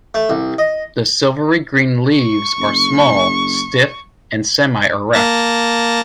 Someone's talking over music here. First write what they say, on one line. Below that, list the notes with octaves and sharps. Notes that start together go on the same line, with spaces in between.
The silvery-green leaves are small, stiff and semi-erect.
A3
C2
D#5
C#6
F#1
A#3 A5 A#6